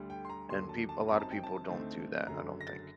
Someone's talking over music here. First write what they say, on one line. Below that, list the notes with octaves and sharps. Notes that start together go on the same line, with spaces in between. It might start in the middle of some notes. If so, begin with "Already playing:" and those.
And peop a lotta people don't do that, I don't think.
Already playing: D2 D3 G3
G5
C6
A#5
D#2 D3 F#3 C6
A5
A5
G1 F#2 F#3 C4 D#4 A#5
A5
G5
A5
D2 D3 A3 C4 D#4
F#1 F#2 D3 F#3 A#5
A#6
A6